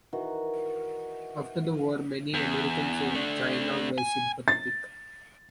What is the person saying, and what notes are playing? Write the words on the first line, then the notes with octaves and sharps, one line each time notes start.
After the war, many Americans in China were sympathetic.
D#3 E3 F#4
E2
A3 D4
G#5
A6